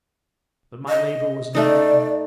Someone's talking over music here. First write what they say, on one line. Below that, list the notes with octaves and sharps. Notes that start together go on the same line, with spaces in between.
But my labor was in vain.
D#5
A3 D#4 D5